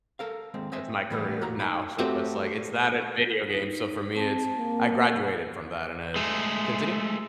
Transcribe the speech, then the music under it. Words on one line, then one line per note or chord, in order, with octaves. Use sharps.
That's my career now, so it's, like, it's that and video games, so for me it's I graduated from that, and it continue.
A4 A#4 F5
D#2 G#3 C4
C4 C5 D#5 E5 G#5
A2 E3 G3 A3 B3
A#3 F#4 A#5
D#4 B5
A3 C4 F#4 G4
D#4
C4 A5
A#3
G#3 A3